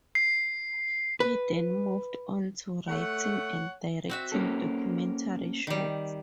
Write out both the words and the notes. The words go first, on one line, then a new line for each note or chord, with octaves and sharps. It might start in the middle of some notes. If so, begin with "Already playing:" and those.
He then moved on to writing and directing documentary shorts.
C7
B4
A3 C#5 F#5
C4 F#4 E5
A#3 C#4 A4
D#3 G3